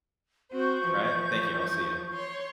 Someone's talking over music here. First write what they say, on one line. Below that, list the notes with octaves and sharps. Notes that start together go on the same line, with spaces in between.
Right. Thank you, I'll see ya.
C4 F#4 C5 C#6 G6
E3 F3
C#5 C6